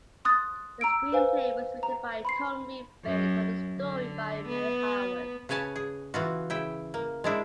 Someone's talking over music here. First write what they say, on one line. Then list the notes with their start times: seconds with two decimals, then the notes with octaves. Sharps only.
The screenplay was written by Tom Reed based on a story by Mary Howard.
0.25 C6 D#6 F#6 A6
0.81 A#5 E6 D7
1.12 B4 C5 F5 G#5
1.83 A#5
2.25 B5 C6 C7
3.05 F#2
3.78 D3
4.48 B3
5.49 C#3 B4 C#5 G#5 A5
5.76 G#4
6.14 E3 F4 F#4
6.50 C#3 E4 G5
6.94 A#3
7.24 G#3 D4 E4